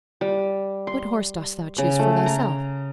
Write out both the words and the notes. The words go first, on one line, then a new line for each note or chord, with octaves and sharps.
"What horse dost thou choose for thyself?"
G3
C6
C#3
A3
A#5